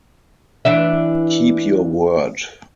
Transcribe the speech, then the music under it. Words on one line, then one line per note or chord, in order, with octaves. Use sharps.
Keep your word.
E3 D4 E5